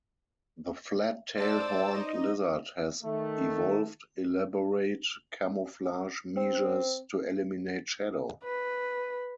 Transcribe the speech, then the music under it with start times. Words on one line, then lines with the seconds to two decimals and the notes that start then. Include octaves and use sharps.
The flat-tail horned lizard has evolved elaborate camouflage measures to eliminate shadow.
1.37 C5 D5 A5 E6 A6
1.94 D#4 D#5
3.03 D#3 A3
6.37 C4
8.44 B4